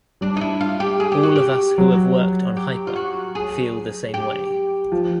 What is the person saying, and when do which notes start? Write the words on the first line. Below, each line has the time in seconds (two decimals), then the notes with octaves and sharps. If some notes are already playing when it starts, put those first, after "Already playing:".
All of us who have worked on Hyper feel the same way.
0.21 G3 D4
0.37 D#4
0.41 E4
0.61 F4
0.80 G4
1.00 G#4
1.12 G4
1.23 F#4
1.36 G4
1.78 F#3
2.57 G4
2.87 F4
2.96 F#4
3.35 G#4
4.14 G4
4.92 F3